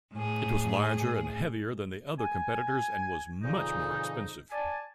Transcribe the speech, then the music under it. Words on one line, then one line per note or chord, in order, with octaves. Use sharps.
It was larger and heavier than the other competitors and was much more expensive.
A2 G#4
G#5
F2 A#2 C#3 E3 D#4
D5 G#5 A5